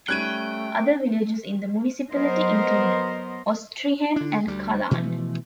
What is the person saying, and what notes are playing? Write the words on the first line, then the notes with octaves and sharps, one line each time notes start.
Other villages in the municipality include Austrheim and Kaland.
G3 A3 C#4 G5 F#6 G#6 D#7
F#3 B3 A#4 C5 D#5
D3 D4
D2 G3
B2 E3 F3 A3